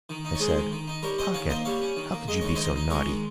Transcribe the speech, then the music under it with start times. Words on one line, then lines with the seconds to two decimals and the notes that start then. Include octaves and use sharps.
I said, "Pocket, how could you be so naughty?"
0.09 D#3
0.25 D#4
0.35 C#5
0.40 G#3 G#4 C5
0.57 D#3
0.72 D#3
0.87 D#4
1.03 G3 A#4 C#5
1.18 C#4 C5 D#5
1.34 D#3 C#5 F5
1.49 A#3 C5 D#5
1.65 G3 C#5 F5
1.82 C#4
1.97 D#3
2.12 A#3
2.28 G#3 D#5
2.41 D#3 C#5
2.56 D#3 C5 D#5
2.76 D#4
2.90 G#3 A#4 C#5
3.07 D#3